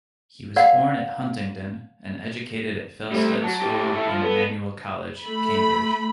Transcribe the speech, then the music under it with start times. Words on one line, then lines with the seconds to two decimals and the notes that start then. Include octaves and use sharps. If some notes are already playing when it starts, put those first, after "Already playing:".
He was born at Huntingdon and educated at Felsted School and Emmanuel College, Cambridge.
0.56 A#4 D5 F5 F#5 B5
3.12 G3 A3 C4
3.43 F#3 A5
3.62 A2 G4
3.93 A2 A3
4.08 F3
4.22 B3 A4
5.22 A3 B5